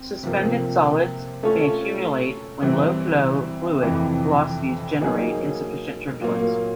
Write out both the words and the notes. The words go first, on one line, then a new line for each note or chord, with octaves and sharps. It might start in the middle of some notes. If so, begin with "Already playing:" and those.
Suspended solids may accumulate when low-flow fluid velocities generate insufficient turbulence.
Already playing: C4
C3 F3 A#3
A3 C#4 F4 A4 C#5
E3 G3 C4 E4
F2 C3 E3
F#3 A#3 D#4 G#4
A#2 F#3 A#3